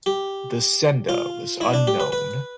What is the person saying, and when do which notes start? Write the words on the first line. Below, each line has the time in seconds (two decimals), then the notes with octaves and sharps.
The sender was unknown.
0.06 G4
1.09 F4
1.61 E4
1.74 D4
1.87 G4
2.00 B4
2.12 B4